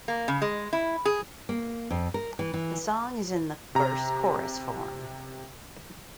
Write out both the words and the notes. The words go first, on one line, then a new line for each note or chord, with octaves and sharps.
The song is in the verse-chorus form.
A#3
C#3
G#3
E4
G#4
A#3
F2
A#4
E3
E3
C3 A#5